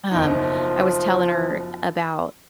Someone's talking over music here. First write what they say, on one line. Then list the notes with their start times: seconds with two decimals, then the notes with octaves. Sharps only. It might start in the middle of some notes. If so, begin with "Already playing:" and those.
um, I was telling her about
0.11 F#1 B2 F3 D#4